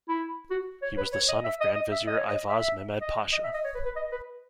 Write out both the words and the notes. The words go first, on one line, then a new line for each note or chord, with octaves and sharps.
He was the son of Grand Vizier Ivaz Mehmed Pasha.
E4
F#4
C#5
B4
C#5
D#5
E5
D#5
D#5
E5
D#5
C#5
D#5
E5
E5
D#5
D#5
E5
D#5
C#5
B4
B4
D#5
B4